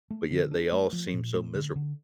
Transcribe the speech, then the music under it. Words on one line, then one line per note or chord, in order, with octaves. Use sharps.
but yet they all seem so miserable.
A3
D3
D4
A3
F3
A#2
A3
D3
D3